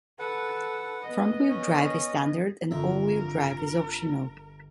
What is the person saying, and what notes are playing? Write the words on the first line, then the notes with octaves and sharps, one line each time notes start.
Front-wheel drive is standard and all-wheel drive is optional.
A4 B4 F#5
B3 D#5
C#4
G1 F2 D3 F4 A#4 E5 A#5